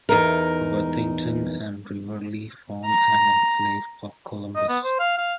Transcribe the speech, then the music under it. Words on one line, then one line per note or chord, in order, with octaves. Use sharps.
Worthington and Riverlea form an enclave of Columbus.
E2 D#4 A#4
A#5
D#5
B3
C5
F5
F5